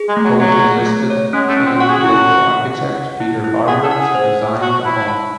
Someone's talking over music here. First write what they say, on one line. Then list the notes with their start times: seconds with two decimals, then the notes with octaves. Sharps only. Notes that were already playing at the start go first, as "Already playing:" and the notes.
Hope enlisted famed local architect Peter Barber to design the home.
Already playing: G#4
0.08 G#3
0.17 A3
0.24 F#3
0.40 F#3 G#4
0.63 C#5
0.86 A3
1.10 C#5
1.33 G#3 C#4
1.49 A3
1.57 C#4
1.65 C4
1.80 F#4 F#5
1.90 G#4
2.00 E4 F#4
2.27 E4
2.50 F#5
2.74 F#5
2.97 F#5
3.20 E4
3.44 E4
3.68 G#4 F#5
3.83 A4
3.91 F#5
4.00 G#4
4.15 C5
4.38 F#5
4.61 F#4 A5
4.84 E4 A5
5.08 A5